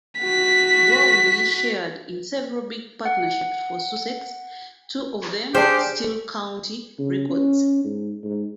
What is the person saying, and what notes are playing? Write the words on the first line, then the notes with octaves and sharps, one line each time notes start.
Bowley shared in several big partnerships for Sussex, two of them still county records.
F#4 B6
F#5
D4 G4 G#4 C5 G5 F6
C#3
C#4
G#2
G#2